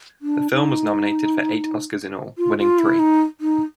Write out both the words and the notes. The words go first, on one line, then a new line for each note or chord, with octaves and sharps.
The film was nominated for eight Oscars in all, winning three.
D4
D#4
F4
F4
E4
D#4
D#4